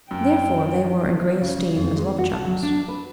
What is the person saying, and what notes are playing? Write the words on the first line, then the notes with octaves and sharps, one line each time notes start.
Therefore they were in great esteem as love charms.
F#2 G5
C#3
F2
G#3
F#4
A5
F#3
D4
B4